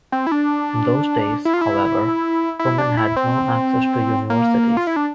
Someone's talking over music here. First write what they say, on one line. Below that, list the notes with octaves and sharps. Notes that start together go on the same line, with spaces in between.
In those days, however, women had no access to universities.
C4
E4
D4
E4
F4
E4
E4
D4
E4
C4
A#3
F4
E4
D4